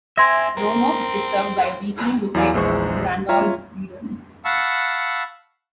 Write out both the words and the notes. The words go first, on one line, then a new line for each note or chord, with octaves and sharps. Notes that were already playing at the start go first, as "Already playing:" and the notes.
Roanoke is served by a weekly newspaper, "The Randolph Leader".
C4 E5 G#5 C6 G#6 A#6
C4 A#4
E2 F#3 E4 D5 F5 G#5
A#1 E2 G#3 C5 C#6
F4 C#5 E5 A#5 F6
F5 F#5 A5 B5 C#6 E6